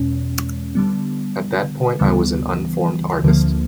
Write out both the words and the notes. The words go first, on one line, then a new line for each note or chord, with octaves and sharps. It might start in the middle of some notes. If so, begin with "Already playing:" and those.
At that point I was an unformed artist.
Already playing: E2 B2 G#3 C#4
D3 G3 B3
D2 C#3 E3 G3 B3
D2 D3 F3 A#3